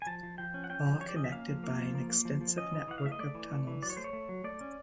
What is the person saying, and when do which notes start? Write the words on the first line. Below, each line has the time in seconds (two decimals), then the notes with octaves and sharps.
All connected by an extensive network of Tunnels.
0.02 G#5
0.07 F3 A5
0.23 F3
0.38 F3 G5
0.54 C#4
0.64 F#5
0.70 C#4 G5
0.86 F3
1.00 F3 C#5
1.09 D5
1.16 C#4 D#5
1.24 E5
1.32 A#3 F5
1.48 F3
1.64 A#3
1.79 F3
1.95 A#3
2.10 A#3
2.25 F3
2.41 F3
2.57 C#4 D#5
2.73 E3
2.88 E3 F#5
2.98 F5
3.04 A3 E5
3.12 D#5
3.19 A3 D5
3.35 E3
3.51 A3
3.67 E3
3.82 F#3 D5
3.90 C#5
3.97 A3 C5
4.04 C#5
4.13 A3
4.29 F#3
4.44 A3 D5
4.61 C#4